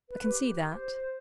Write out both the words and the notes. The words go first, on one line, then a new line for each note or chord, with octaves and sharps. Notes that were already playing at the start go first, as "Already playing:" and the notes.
I can see that.
B4
G4
C5